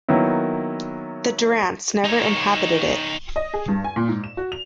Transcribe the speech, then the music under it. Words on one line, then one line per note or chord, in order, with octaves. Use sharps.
The Durants never inhabited it.
D#3 F#3 A#3 B3 E4
D#4 C#5
D#5
G#4
G2
G#5
A#2
G#2
E7
F#4
F7